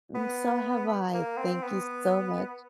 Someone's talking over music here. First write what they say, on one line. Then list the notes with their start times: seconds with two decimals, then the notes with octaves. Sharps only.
And, so have I, thank you so much.
0.15 B3
1.14 A#3
1.37 C4
1.63 B3